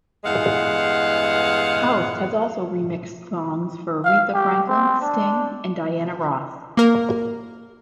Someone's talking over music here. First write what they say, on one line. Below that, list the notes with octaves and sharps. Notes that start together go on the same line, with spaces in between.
Hauss has also remixed songs for Aretha Franklin, Sting, and Diana Ross.
E2 G2 G#3 F5 F#5
F5
G4
C4
D4
A#3 A#4